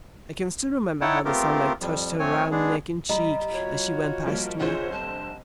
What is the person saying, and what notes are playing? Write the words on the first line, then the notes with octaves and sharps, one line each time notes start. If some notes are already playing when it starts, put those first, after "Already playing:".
I can still remember how the sunlight touched her round neck and cheek as she went past me.
D#4 E4 C#5 F#5 G5 A5
A3 B3 C4 F4 G4 A#4
F2 F3 G3
F3 A3 C4 C#5 G#5
G#3 B3 D4 G#4
G3 D#5 A#5 B5
F4 F#4 C#5
F3 G3 A#3
F1 D3 F4 G#4 C5 C#5
G3 A5